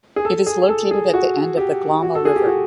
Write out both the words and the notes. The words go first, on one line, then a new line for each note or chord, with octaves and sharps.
It is located at the end of the Glomma River.
G#4
A4
G#4
A4
G#4
F#4
G4
F#4
A4
G#4
G4
F#4